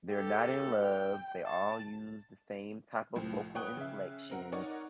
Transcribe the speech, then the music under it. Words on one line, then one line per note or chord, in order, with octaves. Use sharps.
They're not in love. They all use the same type of vocal inflections.
G4 A4
G5
A5
C2 A2 F3
B4 C#5 F#5 G5 D#6 F#6
C#3 E5
C4 A#4 F#5
D#4 A#4 C#5 D5 F#5